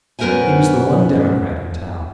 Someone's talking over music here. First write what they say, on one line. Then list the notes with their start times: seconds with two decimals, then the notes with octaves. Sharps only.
He was the one democrat in town.
0.19 F#2 B3 A#4 C5 E5 G#5